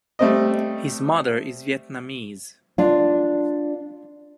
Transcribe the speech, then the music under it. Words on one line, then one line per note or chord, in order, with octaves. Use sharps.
His mother is Vietnamese.
G3 A3 C4 D#5
D4 F4